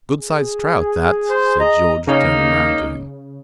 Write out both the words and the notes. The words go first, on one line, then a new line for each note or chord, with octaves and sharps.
"Good-sized trout, that," said George, turning round to him.
G#4
C5
D#5 A#5
C#3 A#3 D#4